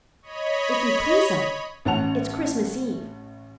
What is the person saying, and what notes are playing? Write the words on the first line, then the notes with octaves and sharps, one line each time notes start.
"If you please'm, it's Christmas Eve."
C#5 D#5 B5
A1 C#4 F#5 A5 F7